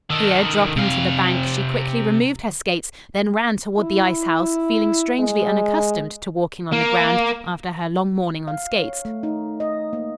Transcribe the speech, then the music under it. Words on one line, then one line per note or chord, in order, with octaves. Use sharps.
Here, dropping to the bank, she quickly removed her skates, then ran toward the ice house, feeling strangely unaccustomed to walking on the ground after her long morning on skates.
D#3 A4
C3 F5
E4
G#3
A#3
F5
C#5
A3
D#4
D#5
A#3